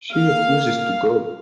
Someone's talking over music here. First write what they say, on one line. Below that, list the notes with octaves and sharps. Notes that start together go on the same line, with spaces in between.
She refuses to go.
A#3 F5